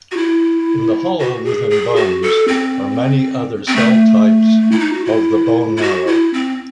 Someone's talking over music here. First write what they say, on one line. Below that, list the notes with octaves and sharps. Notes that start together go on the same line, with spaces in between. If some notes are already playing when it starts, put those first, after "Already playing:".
In the hollow within bones are many other cell types of the bone marrow.
F#4
E4
F#4
G#4
G#4
F#4
A4
C4
C4
A3
E4
D#4
F#4
E4
E4
F#4
E4
C4